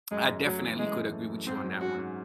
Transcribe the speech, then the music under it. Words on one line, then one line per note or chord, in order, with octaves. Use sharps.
I definitely could agree with you on that one.
F#2 G#3
F#2
F#3 A3
E3
F#2 G#3
F#2
A3
F#2
G#2 C4
F#3
C#4 F#4
G#2